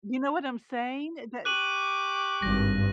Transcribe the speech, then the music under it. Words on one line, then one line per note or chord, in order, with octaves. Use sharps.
You know what I'm saying? That
G4 C#6 D6 F#6 D#7 F#7
G#1 G2 A#6